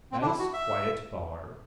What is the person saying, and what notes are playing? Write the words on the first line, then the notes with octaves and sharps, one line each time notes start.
Nice quiet bar.
C4
D4
E4
F#4
E5